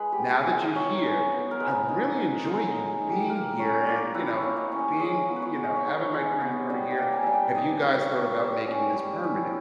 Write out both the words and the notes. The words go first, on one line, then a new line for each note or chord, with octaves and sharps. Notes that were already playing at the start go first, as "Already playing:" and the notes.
now that you're here, I really enjoy you being here and, you know, being you know, having my granddaughter here have you guys thought about making this permanent?
Already playing: G#3 B4
G4
B3
G#4
G#3
A#4
D#4 C#5
G#3
B3
A#4
G#3 B4
D#4
D#4
G#3 A#4
A#4
G#3
G#4
D#4
G4
A#3 A#4
C#4
A#3
E4 B4
C#5
A#3
D#5
C#4 C#5
D#5
G#3 C#5
D#5
B3
B4
C#5
G#3
D#5
C#5
D#4 B4
C#5
G#3
B3
G3 D#5
G5
A#3
G#5
G3 E5
G5
D#4 D#5
G3
C#5
A#3
G3 E5
C#4
G3
E4